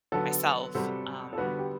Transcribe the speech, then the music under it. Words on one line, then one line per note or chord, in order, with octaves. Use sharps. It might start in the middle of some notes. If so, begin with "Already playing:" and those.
myself, um,
D3 F#3 B3 A4
C3 G3 C4 F#4 A4
A4
D3 G3 B3 F#4 B4
G4